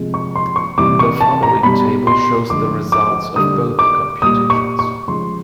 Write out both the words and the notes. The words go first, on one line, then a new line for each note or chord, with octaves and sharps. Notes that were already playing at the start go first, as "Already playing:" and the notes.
The following table shows the results of both computations.
Already playing: C3 F3 G#3
C#6
C6
C#6
C3 E3 G3 D6
C#6
A5
A#5
B2 G3 B5
C6
D3 F3 G#3 D6
D6
D3 G3 D#6
D6
A#2 G3 D#6
C#6
C#6
C#3 F3 G#3 C6